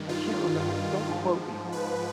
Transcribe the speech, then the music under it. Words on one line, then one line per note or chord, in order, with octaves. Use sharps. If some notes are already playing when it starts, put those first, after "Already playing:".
I can't reme don't quote me on that.
Already playing: G2 D#3
F4
G#2 F3
B4